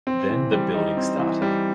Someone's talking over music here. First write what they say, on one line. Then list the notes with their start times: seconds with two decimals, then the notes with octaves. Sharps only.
Then the building started.
0.07 C4
0.30 E3
0.52 G3
0.74 D#4
0.97 C4
1.19 E3
1.42 G3